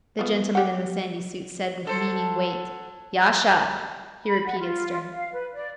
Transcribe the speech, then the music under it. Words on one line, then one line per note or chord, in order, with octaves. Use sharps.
The gentleman in the sandy suit said with meaning weight. "Yasha!" he repeated sternly.
F3 B3
G4 F#5
F#3 A4 C5
B5
F#5
F4
F5
B4
D5